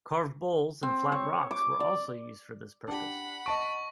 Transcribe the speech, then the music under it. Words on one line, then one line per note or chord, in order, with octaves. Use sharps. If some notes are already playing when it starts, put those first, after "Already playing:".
Carved bowls and flat rocks were also used for this purpose.
C4
C#5
D6
D5
D4 G4 F#5 B5
D#5 A5 C#6 D7